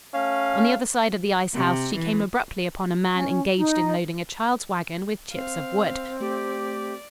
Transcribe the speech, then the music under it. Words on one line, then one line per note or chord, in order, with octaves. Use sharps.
On the other side of the ice house she came abruptly upon a man engaged in loading a child's wagon with chips of wood.
A3 C#4 F5
C3
E3
C#4
D#4
C4 F5
A3 G4 D5